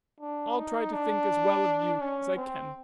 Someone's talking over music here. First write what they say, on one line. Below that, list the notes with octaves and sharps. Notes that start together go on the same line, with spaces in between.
I'll try to think as well of you as I can.
D4
D#4
D4
C#4
C4